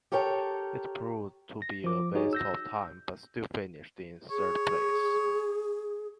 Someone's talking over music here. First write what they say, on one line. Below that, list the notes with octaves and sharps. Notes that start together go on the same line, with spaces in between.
It proved to be a waste of time, but still finished in third place.
G4 A4 A#4 C#5 G5
A#6
F3 D6
D#4 F#4 G#4 C#5
E6 G6 A#6
G#4 C#5